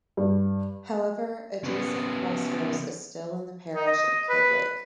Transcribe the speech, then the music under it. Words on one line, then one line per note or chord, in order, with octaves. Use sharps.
However adjacent Cross Hills is still in the parish of Kildwick.
G2
C#3 B3
D#4
D#5
B4